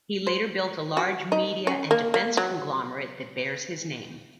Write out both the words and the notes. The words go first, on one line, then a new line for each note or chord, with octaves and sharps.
He later built a large media and defense conglomerate that bears his name.
C5
F#4
D#4
C#4
A#3
A#3
F#3